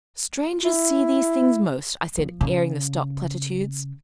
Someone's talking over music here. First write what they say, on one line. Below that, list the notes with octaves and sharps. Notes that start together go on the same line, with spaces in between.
'Strangers see these things most,' I said, airing the stock platitudes.
E4
F3
C#3